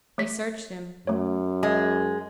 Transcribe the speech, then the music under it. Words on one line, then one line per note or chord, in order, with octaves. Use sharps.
They searched him.
A3 C#5 B6
F#2 A3 C#5
G#3 E5